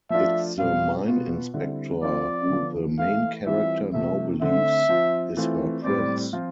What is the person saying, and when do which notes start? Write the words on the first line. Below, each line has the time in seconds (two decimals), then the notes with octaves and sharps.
It's the mine inspector who the main character now believes is her prince.
0.10 F3 A3 D4 F4 E5
0.58 B2 G3 B3 F4 F5
1.07 B2 B3 F4
1.54 D3 G3 C4 E4
2.02 F3 C4 F4 D5
2.50 D3 F3 B3 F4
2.98 E3 A3 E4 F5
3.46 E3 G3 C4 F4 E5
3.93 C3 F3 A3 E5
4.41 D3 A3 C4 E5
4.89 F3 C4 F4
5.37 E3 A3 C4 F4
5.84 A2 G3 C4 D5
6.33 F3 C4 F4